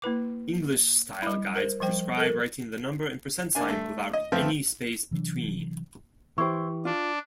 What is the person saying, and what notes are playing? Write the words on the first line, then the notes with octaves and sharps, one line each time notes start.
English style guides prescribe writing the number and percent sign without any space between.
A#3 E4 B4 D6
G3 E4
A#4 C5
F3 G3 C5 G5
A4 A#4
A#3 D4 G#5
A3
D#5
F3 A3 B3 C4
C3 E3 F#3 D4
E3 E4 G4 C5 C#6
D4 F4